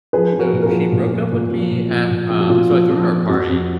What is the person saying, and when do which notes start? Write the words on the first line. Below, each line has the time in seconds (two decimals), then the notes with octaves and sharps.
So, she broke up with me at, uh so I threw her a party,
0.13 F3 G#4 B4
0.33 F3
0.39 F#4 A#4
0.53 A#2
0.62 A#4
0.66 F4 G#4
0.73 F3
0.92 A#2
1.12 F3
1.32 A#2
1.51 F3
1.71 A#2
1.91 F3
2.10 A#2
2.30 F3
2.40 F#4
2.50 A#2 F4
2.70 F3
2.89 F3
3.09 F3
3.29 F2 F#4
3.49 F2